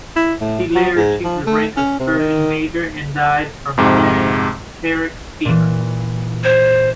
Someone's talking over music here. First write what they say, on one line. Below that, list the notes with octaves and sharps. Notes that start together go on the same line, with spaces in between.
He later achieved the rank of surgeon major and died from enteric fever.
E4
A2
F#3
G#2
F3
A3
C#4
C3
D#3
F2 G#2 C3
A#2 E3
C5 G#6